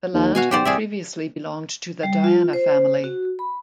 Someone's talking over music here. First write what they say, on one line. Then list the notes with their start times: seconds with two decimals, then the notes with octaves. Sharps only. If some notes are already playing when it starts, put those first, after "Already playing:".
The land had previously belonged to the Diana family.
0.14 D#2
0.35 B2 F#4 F5 G#5
0.51 B1 G4 C5 D5
0.65 C2 G#4 D5 E5
2.03 G3
2.24 F4
2.53 C5
3.04 F#4
3.39 B5